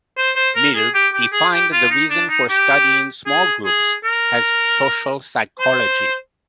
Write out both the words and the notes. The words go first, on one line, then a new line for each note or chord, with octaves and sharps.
Mills defined the reason for studying small groups as social psychology.
C5
C5
A#4
G#4
G4
G4
G#4
G4
F4
D#4
D4
D#4
G4
G#4
G#4
A#4
C5